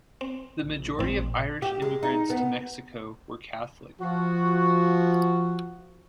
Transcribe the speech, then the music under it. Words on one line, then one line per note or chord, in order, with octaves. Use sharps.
The majority of Irish immigrants to Mexico were Catholic.
C4
A#1
A1 C4
G4
G#3
D#4
B3
F3 F#4